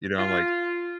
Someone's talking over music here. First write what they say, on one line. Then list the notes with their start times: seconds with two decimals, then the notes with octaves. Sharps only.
you know, I'm like,
0.19 F4